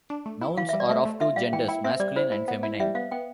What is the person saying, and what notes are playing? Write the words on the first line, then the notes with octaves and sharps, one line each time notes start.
Nouns are of two genders, masculine and feminine.
D4
A3
E4
E3 F5
G3 E5
D5
A3 E5
A3
F4 E5
G3 F5
E3 G5
E4 G5
C4 E5
G3 D5
E4 C5
E4
B3
E4
G3 E5
B3 F5
B3 G5